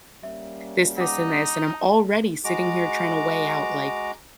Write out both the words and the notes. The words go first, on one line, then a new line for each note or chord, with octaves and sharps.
this, this and this, and I'm already sitting here trying to weigh out, like,
G3 A#3 C#4 E5
D#4 F#5 G#5 D6
G#3 F#4 A#5 D6